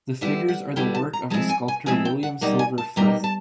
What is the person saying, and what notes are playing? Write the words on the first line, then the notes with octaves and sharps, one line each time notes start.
The figures are the work of the sculptor William Silver Frith.
D3 G3 B3 E4 E5
F#5
D3 G3 B3 E4 G5
A5
A#5
F3 G#3 C4 E4 A5
G#5
G#5
F3 G#3 C4 E4 G#5
G5
F#5
B2 G3 A#3 D#4 F#5
G#5
A5
B2 G3 A#3 D#4 A#5
A5